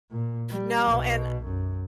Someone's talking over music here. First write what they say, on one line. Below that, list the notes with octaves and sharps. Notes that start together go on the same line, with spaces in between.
No, and,
A#2
G3
B1 B2
F#2